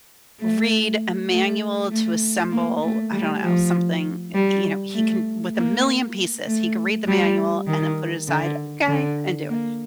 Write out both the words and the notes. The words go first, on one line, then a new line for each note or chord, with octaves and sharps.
read a manual to assemble, I don't know, something, uh, you know, he can with a million pieces, he can read the manual and then put it aside, "Okay," and do it.
A3
A3
A3
A#3
A3
G3
F3
G3
A3
A#3
A3
G3
D#3
D3
D3
A#3